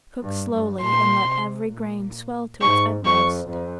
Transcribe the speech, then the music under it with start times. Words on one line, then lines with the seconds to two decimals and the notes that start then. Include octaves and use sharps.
Cook slowly and let every grain swell to its utmost.
0.23 G2
0.52 G2
0.81 A#2 C6
1.27 C3
1.72 A#2
2.61 G#2 C#6
3.05 F2 C#6
3.50 F2